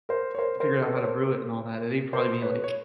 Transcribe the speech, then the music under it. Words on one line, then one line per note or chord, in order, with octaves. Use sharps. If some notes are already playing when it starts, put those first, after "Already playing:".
figured out how to brew it and all that and they'd probably be, like,
A#4 C5
C#5
A#4 C5
A#4 C5
A4 B4
C#5
A#4 C5
A#4 C5
B4 C#5
C#5